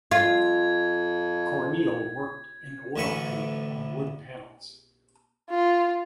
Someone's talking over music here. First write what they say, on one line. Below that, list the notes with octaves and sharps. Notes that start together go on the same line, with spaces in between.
Corneille worked in oil paint on wood panels.
F2 F4 G#6
A1 D2 A2 B4 B5 C#6
F4